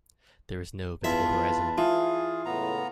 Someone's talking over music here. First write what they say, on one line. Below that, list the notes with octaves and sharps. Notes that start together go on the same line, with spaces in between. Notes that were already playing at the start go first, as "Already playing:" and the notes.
There is no visible horizon.
E2 F4 B4 E5 A5
E3 F4 G#4
C#2 A2 B3 A#5